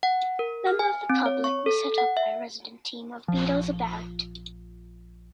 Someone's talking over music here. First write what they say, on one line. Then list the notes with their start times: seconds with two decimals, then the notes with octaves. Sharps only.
Members of the public were set up by a resident team of Beadle's About!
0.03 F#5
0.39 A#4
0.67 F6
0.79 G#5
1.10 C4
1.26 C#5
1.44 C#6
1.66 A4
1.98 F#5
2.17 E5
3.28 A#1 F3